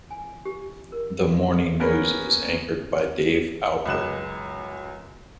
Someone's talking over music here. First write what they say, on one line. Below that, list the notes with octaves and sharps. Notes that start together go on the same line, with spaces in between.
The morning news is anchored by Dave Alpert.
G#5
G4
A#4
A#3 B3 C#4 A#4 B4
C#2 F#2 F#6 E7